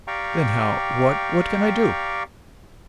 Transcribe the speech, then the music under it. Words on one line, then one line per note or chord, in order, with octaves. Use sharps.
"Then how--what--what can I do!"
G4 D5 F5 G5 A#5 C#6